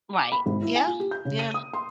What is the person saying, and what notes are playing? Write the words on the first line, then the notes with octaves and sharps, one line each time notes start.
Right. Yeah. Yeah.
D6
B5
G#1
E4
G#5
F4
G4
G6
C#3
D#7
D#6
C6